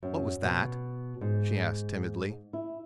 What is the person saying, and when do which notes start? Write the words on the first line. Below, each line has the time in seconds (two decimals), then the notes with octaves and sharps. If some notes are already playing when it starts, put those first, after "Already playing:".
"What was that?" she asked timidly.
0.03 F#2
0.43 B2
1.21 G#2
2.53 E4